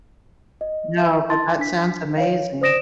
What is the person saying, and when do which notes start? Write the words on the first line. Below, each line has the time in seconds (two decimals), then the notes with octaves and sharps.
No, but that sounds amazing.
0.61 D#5
0.97 E5
1.29 E4 A5 C6 A6
1.59 D4 B6
2.17 C#5 F5
2.61 C5 D5 D#6 A#6 D7 E7